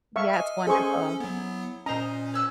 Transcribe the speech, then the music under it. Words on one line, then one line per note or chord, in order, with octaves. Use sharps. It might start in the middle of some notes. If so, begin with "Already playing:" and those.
Yeah, it's wonderful.
E5 F5 C#6
D#5 G#5
C#4 G#4 A4 C5 C#6
F#3 B3 E4
A#2 C#4 C5 D#5 A#5
C#5 E6 F#6